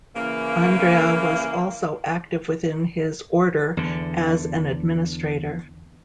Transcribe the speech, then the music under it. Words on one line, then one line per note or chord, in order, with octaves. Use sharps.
Andrea was also active within his order as an administrator.
C#3 E3 A#3
E2 D3